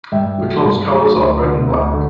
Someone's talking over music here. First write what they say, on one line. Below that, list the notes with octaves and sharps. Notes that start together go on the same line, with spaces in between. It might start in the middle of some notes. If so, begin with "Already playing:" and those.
The club's colors are red and black.
G2 E5 G5
F#3 A3
G2
F#3 A3
D2
D3 A3
D2
D3 A3